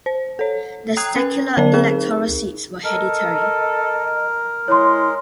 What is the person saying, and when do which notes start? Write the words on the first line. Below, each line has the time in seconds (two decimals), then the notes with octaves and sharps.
The secular electoral seats were hereditary.
0.06 C5
0.39 A4 C#5
0.97 G5 A#5 D#6 F#6 G#6 C7
1.16 C#4 B4
1.57 D3 F#3 A#4 D5 A5
1.73 C4 D#4 G#4 A#4
2.84 A4 A#4 D#5
4.68 G#3 E4 C#5 C6